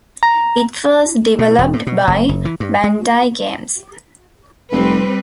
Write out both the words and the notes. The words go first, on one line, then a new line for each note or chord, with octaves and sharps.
It was developed by Bandai Games.
A#5
B2
E1
A2
B2
F#1
F#1
E3
G2
G#3
F1 G3 C4 B4